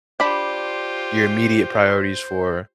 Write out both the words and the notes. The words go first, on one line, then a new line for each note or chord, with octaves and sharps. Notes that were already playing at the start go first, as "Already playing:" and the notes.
Your immediate priorities for,
D4 F4 G4 C5 B5